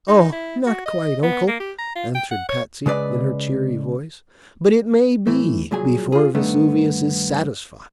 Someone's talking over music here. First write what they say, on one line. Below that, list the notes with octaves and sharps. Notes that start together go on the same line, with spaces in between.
"Oh, not quite, Uncle," answered Patsy, in her cheery voice; "but it may be, before Vesuvius is satisfied."
D#4
E4
F#4
D#5
B3
A#3
G4
A#5
F4
G5
F#5
C#5
C#3 G#3 B4 D5
A2 E3 A3
C2 A#2 F#3 G#4 G#5
F4 G#4
G2 D#3 A3 B3 D4